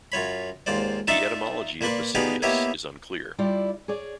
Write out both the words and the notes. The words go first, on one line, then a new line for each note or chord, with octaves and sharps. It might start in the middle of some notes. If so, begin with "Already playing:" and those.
The etymology of "basileus" is unclear.
F#2 F4 C#5 B5
D#2 G#2 F4 C5 D5
D#4 F4 A#4 D5 E5 A5
A#2 A#3 B4 D5 C6 C#6
B3 D#4 G4 G#4 D5 F5
A#3 B3 E4 G4 C#5 D#5
G3 E4 F4 G4 D5
G#4 C#5 D5